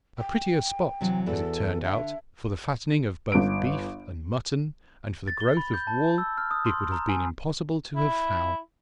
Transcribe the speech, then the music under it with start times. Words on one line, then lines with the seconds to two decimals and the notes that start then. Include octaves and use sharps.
A prettier spot, as it turned out, for the fattening of both beef and mutton and for the growth of wool, it would have been impossible to have found.
0.18 G5
1.01 C3 E3 F#3
1.26 E2 E4 F#4 A4
1.84 D3 E5
3.32 G1 D7
5.28 A6
5.40 G7
5.57 B5
5.74 G6
5.87 A5
6.18 E6
6.38 F6
6.51 D#6
6.66 C6
6.92 A#5
7.09 G#5
7.96 E4